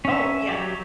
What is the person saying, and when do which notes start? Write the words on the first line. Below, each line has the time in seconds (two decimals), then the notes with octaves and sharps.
Oh, yeah.
0.05 C#4 E5
0.49 F#3 G4